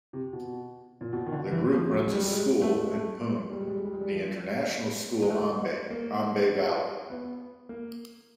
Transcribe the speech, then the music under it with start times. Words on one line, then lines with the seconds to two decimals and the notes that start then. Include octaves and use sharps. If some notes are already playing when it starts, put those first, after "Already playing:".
The group runs a school in Pune, the International School Aamby - Aamby Valley.
0.13 C3
0.33 B2
1.01 A#2
1.13 B2
1.26 D#3
1.33 D3
1.52 E3
1.72 F3
1.92 F#3
2.06 G#3
2.12 G3
2.24 G3
2.32 G#3
2.62 A3
2.81 G#3
2.92 A3
3.51 G3
3.60 G#3
3.68 G3
3.76 G#3
3.85 G3
3.93 G#3
4.01 G3
4.11 F3
5.22 G#3
5.30 A3
5.90 A#3
7.10 B3
7.69 A#3